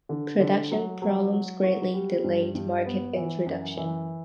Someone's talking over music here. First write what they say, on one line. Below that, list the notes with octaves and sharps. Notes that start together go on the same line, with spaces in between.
Production problems greatly delayed market introduction.
D3
D3
F#3
F#3
F#3
F#4
G3
G2
G2
B3
E3
F#2
E3